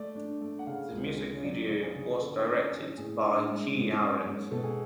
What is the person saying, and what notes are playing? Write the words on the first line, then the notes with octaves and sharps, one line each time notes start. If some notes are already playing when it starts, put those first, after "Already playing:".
The music video was directed by Kii Arens.
Already playing: A3 D5
D4
A3
F#5
C#3 F5
C#2
G#3
C#5
F#3 D5
C#3
G#4
C#3
D3 A4
C#4
C#4
A2 G#4
D4
G#3
G#2
C#4
G#2
B2 A4
G#4